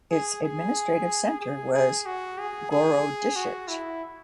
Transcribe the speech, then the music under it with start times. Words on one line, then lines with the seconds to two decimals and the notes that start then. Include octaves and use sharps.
Its administrative centre was Gorodishche.
0.11 G#4
0.44 G#4
1.41 G#4
1.74 G#4
2.06 F#4
2.38 G#4
2.71 G#4
3.36 F#4
3.68 E4